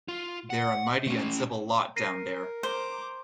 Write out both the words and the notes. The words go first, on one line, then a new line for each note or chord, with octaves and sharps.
They're a mighty uncivil lot down there.
F4
F#5
A3 C#4
A#4 A#6 C7 D#7
C5 A#5 D6